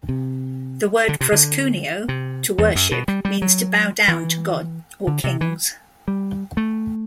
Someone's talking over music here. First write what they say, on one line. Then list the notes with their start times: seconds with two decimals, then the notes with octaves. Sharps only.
The word "proskuneo" "to worship" means to bow down to God or kings.
0.09 C3
1.09 D3
1.21 C3
1.32 D3
2.08 C3
2.58 E2
2.75 F#2
2.91 B2
3.08 G3
3.25 G3
3.42 F#3
4.08 E3
5.07 D3
5.24 C3
5.41 E3
6.08 G3
6.57 A3